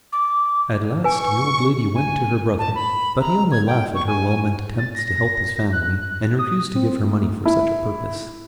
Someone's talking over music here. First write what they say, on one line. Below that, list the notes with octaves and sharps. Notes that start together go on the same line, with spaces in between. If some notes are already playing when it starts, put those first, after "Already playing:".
At last, the old lady went to her brother, but he only laughed at her well-meant attempts to help his family, and refused to give her money for such a purpose.
D6
B4 G#5 C#6
G#5
A5
B5
A#5
G#6
G5
C#6
G#5
A6
A#6
F#6
D#6
C4
A3
E4